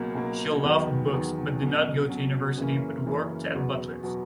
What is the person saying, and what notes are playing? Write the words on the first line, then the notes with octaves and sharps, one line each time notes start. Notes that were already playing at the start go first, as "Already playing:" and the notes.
She loved books but did not go to university but worked at Butlins.
Already playing: C#2 B2 F#3 A#3
C#2 B2 F#3 A#3
E2 D#3 F#3 B3
E2 D#3 F#3 B3
B2 F#3 C#4
B2 F#3 C#4
F#2 C#3 E3 A#3 C#4
F#2 C#3 E3 A#3 C#4
E2 B2 F#3 B3
B2 F#3 B3